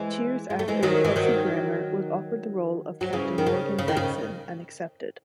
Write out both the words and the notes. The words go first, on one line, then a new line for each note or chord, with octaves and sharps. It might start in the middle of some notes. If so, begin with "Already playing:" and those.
"Cheers" actor Kelsey Grammer was offered the role of Captain Morgan Bateson and accepted.
Already playing: E3 G#3
G#3
A3
E3 G#3
D#3 F#3
E3
D#3 F#3
F#3
C#3 E3
D#3
C#3
C#3
D#3
C#3